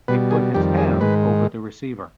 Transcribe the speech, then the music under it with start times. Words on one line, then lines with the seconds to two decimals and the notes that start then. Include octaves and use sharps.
He put his hand over the receiver.
0.08 B2 G3 B4
0.31 G#4
0.54 F2 D#3 G3 G4
0.77 G#4
1.01 G#2 D#3 G#3 B4